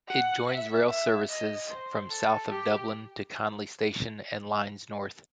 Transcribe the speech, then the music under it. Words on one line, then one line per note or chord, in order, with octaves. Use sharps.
It joins rail services from south of Dublin to Connolly Station and lines north.
F#5
E5
E5
D#5
C5
A4
G4